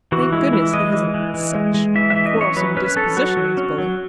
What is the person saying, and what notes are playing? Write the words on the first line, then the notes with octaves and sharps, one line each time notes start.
Thank goodness he hasn't such a quarrelsome disposition as Bully.
E3 F#4
G#3 E4
E3 E4
G#3 D#5
E3
E3
E3
G#3
G#3
E3 E5
E5
E3
D#5
C#4
C#5
F#3 B4
C#4 B4
C#4 A4
F#3 F#4
F#3
C#4
F#3